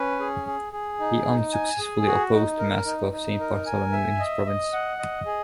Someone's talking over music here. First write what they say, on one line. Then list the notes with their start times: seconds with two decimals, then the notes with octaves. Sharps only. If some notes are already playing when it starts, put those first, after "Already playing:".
He unsuccessfully opposed the massacre of Saint Bartholomew in his province.
Already playing: C#4 B4
0.20 G#4
0.47 G#4
0.73 G#4
1.00 D#4
1.25 D#4
1.53 G#5
1.79 G#4
2.06 F#4
2.33 D#4
2.59 A#4
2.86 D#4
3.12 D#4
3.40 A#4
3.66 G#5
3.92 E5
4.19 D#5
4.46 D#5
4.73 F#5
4.99 D#5
5.26 G#4